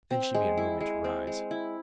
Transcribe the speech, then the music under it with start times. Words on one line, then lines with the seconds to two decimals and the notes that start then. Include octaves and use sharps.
Then she made a movement to rise.
0.11 C4
0.34 G#3
0.57 E4
0.80 G#3
1.04 C4
1.27 G#3
1.51 E4